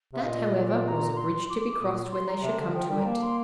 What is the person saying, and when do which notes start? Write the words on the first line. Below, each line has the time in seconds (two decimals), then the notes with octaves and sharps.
That, however, was a bridge to be crossed when they should come to it.
0.13 C3 F5
0.23 A#2 D#5
0.54 D5
0.86 A#5
1.16 C6
1.49 D6
1.80 A#2 D#6
2.12 C6
2.27 A#5
2.43 C3 A5
2.58 D3
2.74 F3 G5
2.90 G3
2.99 A#5
3.05 A#3 A5
3.22 C6